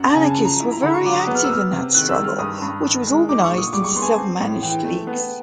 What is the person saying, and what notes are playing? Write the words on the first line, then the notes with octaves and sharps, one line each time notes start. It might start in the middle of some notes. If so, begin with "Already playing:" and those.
Anarchists were very active in that struggle, which was organised into self-managed leagues.
Already playing: F#2 F#5
A5
C#3 G#5
A5
F3
A#5
E4
A#5
D3 B5
C#6
F#3 D6
D#6
B3
F6
E6
B3 F6
C3
D#3 F#6
E6
G3
F6
G2 D#6
G2
D#3
G#3
D#4 D6
C#6
A#2
D#6
G3 D6
C#6
B3 C6
G#5
A5
C4
A2
E3 G5
A3
B3